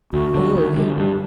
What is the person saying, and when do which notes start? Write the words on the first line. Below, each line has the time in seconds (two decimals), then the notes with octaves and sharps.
Oh, yeah.
0.13 D2 F#4
0.35 D3 G3
0.56 D2
0.77 D3 G3
0.98 G2 G4